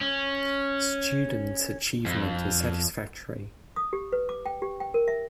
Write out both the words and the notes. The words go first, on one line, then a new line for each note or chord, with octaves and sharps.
Students' achievement is satisfactory.
C#4
F2
D#6
G4
B4
D6
G5
G4
G5
A#4
E5